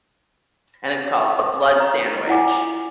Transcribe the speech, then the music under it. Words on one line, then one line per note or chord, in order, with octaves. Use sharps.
and it's called Blood Sandwich,
A#5
E4 F4 F#5 G#5 D6